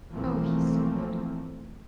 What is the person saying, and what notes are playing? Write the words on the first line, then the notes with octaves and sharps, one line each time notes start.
Oh, he's so good.
B1 E3 F3 A3 A#3 C4